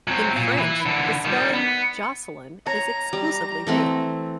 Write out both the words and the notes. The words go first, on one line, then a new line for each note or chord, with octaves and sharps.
In French, the spelling "Jocelyn" is exclusively male.
F#3 C4
A#2
E3 E4
D3 E3
D#3 G3
B3
C#5 A#5
G3
E3 A3 C4